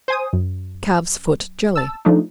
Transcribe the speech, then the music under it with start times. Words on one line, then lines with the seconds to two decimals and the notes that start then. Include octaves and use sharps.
Calf's Foot Jelly.
0.08 C5 G#5 D#6
0.33 F#2
1.76 A5 E6
2.05 F3 A3 D4 D#4